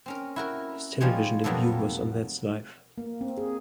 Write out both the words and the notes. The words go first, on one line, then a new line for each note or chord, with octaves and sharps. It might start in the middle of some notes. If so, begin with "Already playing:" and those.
His television debut was on That's Life!
C4 C#4 A#4
E4 F#4 A#4
F3 G3 G#3 C#5
F2 B2 F#3 G3 A#3 A4
A#3
C4
G#4